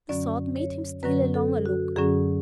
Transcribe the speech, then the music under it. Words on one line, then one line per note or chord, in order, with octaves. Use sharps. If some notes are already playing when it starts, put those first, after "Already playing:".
The thought made him steal a longer look.
F#2 D3 F#3 C#4 D5
C#5
F#2 D3 F#3 C#4 B4
A4
F#4
F#2 D3 F#3 C#4 G#4